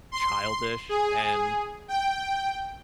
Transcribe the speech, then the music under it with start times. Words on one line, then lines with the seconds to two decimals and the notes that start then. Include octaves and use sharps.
childish, and
0.12 C6
0.89 G#4
1.88 G5